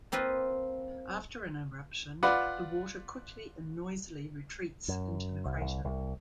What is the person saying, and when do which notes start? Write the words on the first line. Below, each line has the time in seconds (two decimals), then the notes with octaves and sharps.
After an eruption, the water quickly and noisily retreats into the crater.
0.12 A#3 C4 F4 B4 D#5
2.23 F4 B4 D5 F#5
4.88 F#2
5.45 C2
5.61 C2
5.85 C2